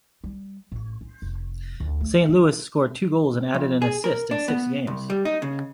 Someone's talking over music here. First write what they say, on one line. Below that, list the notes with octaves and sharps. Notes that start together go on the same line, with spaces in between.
Saint Louis scored two goals and added an assist in six games.
G3
A1
C#4
F1
D2
A3
D3
F2
G#4
A#4
D4
B3
C2
G3
D#4
C#3